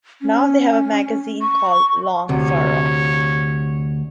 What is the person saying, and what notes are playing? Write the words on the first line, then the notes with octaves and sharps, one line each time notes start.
Now they have a magazine called "Long Furrow".
C#4
C#6
D2 C3 C#5